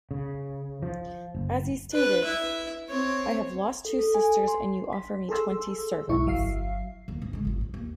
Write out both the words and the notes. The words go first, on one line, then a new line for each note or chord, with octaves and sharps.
As he stated; 'I have lost two sisters and you offer me twenty servants.
C#3
F3
F#1
D4 B4
E4 E5
C4 C#5
A4
A4
G#5
C6
B6
G#4 A4 C6 E6
B1 G#2 E4 C#6
G1 F#3 E5 F5 C7
D#2 D#3
G#2
D3 G#3
A1 F4
G#2
D#2